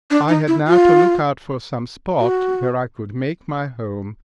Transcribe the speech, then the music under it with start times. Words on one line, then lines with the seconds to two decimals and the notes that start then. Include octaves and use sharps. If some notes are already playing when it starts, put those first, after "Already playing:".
I had now to look out for some spot where I could make my home.
0.11 D4
0.28 D#4
0.47 E4
0.67 F4
2.19 F#4